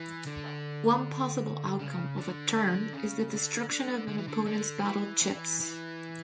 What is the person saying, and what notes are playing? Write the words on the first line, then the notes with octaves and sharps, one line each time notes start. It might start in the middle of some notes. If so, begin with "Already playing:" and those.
One possible outcome of a turn is the destruction of an opponent's Battle Chips.
Already playing: E3
D3
C#3
D3
D3
C#3
D3
D3
D3
E3
D3
D3
E3
E3
E3